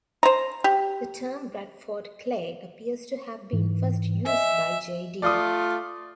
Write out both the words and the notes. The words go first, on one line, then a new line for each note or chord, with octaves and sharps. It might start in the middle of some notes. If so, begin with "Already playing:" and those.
The term "Bradford Clay" appears to have been first used by J. de.
C5 A#5
G4
G#2 E3
D#5 E5 G#5
A3 F4 D5 D#6